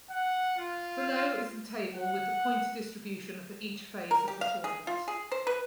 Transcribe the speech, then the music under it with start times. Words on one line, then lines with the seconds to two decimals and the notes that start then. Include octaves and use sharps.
Below is the table with the point distribution for each phase of the tournament.
0.10 F#5
0.58 F4
1.94 F#5
4.11 A#4
4.28 G4
4.41 F5
4.64 G#4
4.87 F4
5.08 G#4
5.32 C5
5.47 B4